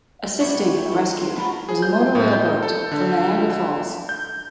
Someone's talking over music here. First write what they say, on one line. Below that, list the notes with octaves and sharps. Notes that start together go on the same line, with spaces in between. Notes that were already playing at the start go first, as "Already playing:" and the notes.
Assisting in the rescue was a motor-whale boat from Niagara Falls.
G3 C#5 E5 F#5 C#6
G4 C#5
G4 A4
C5
A3 F4 A#4 F#5 B5
G#4
G6
A2
G6
A4
D3
G6